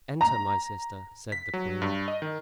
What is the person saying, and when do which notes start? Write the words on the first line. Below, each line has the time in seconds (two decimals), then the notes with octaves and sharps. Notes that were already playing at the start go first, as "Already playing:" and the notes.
"Enter, my sister," said the queen.
0.21 A#5
1.32 B6
1.53 F#3
1.82 G2
2.08 D#5
2.22 D#3